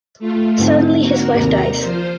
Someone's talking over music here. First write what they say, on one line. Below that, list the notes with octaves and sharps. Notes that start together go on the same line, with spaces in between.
Suddenly his wife dies.
A3 F4
G#2 D3 C4
A#3 F#4 A#4
D#2 C3 A#4 D5 A#5
F3 F4 C5